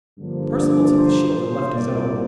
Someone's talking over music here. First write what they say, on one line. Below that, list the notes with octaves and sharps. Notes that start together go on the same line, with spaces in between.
Perceval took the shield and left his own.
G2 D3 F3 A#3
D5
C5
C2 A#2 G3 A#3 D5